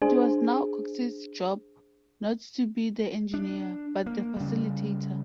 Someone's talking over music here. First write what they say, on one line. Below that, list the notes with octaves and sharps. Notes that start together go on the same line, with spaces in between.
It was now Cox's job not to be the engineer, but the facilitator.
D4 G#4 C5
D4
A#3
C#3 G3